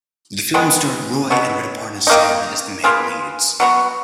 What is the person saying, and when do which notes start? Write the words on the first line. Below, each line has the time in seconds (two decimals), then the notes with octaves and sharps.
The film starred Roy and Rituparna Sen as the main leads.
0.54 D#3 G#3 B3
1.30 B2 F#3 B3
2.07 D#3 A#3 D#4
2.84 A#3 F4 G#4 B4
3.60 F#3 B3 F#4